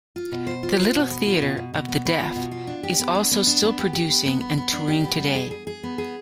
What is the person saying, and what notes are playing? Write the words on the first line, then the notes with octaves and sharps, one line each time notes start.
The Little Theatre of the Deaf is also still producing and touring today.
F4
B2
C5
F4
C5
B2
B3
F4
B2
B2
B2
B3
B3
F4
B2
F4
D4
G4
B3
D4
B3
D4
B3
G4
G4
B3
B3
B3
B3
D4
G4
B3
G3
G#4
G#4
G#4
B3
G#4